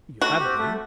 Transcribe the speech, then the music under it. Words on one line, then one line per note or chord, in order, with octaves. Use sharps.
"You have been."
A3 F#4
C4 G4
A3